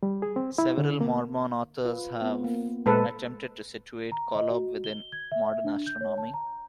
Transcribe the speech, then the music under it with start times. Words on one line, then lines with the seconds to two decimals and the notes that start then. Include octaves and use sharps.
Several Mormon authors have attempted to situate Kolob within modern astronomy.
0.03 G3
0.22 G#4
0.36 C4
0.58 E4
0.78 D3
1.01 A#3
1.85 F4 B4
2.22 B3 C4
2.44 A#3
2.86 A#2 G#3 A4 B4 C5
4.12 A#5
4.35 D#5
4.50 F#4
4.84 G7
5.12 G#6
5.32 E5
5.64 D4
5.86 G6
6.01 C#5
6.18 A5
6.34 A#5